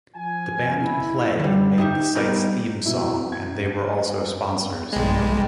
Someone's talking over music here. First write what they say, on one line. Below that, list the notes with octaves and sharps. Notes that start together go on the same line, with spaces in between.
The band Play made the site's theme song and they were also sponsors.
F3 G#5
E4
D3 G3
D#4 G4 E5
G#2 B2 G3 C4 D#4 A#4
B2 E4
G#6
B1 G2 G3 G#3